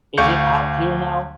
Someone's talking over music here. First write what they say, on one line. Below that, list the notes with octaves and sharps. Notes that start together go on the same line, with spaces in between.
Is it hot here now?
D2 D5 F5 C#6 G6 C#7